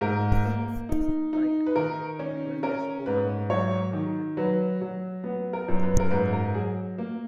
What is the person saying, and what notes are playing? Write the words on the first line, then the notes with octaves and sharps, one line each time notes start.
Right, well let's poke around his lab a little.
G#2 A#4
A#3
D#4
D#4
B4
D#3 A#4
C#4
C#4 A#4
G#2 B4
F#3 C#5
D#3
F#3 B4
F#3
B3
A#4
F#2
B4
A#4
G#2 B4
A#4
F#3 G#4
A#3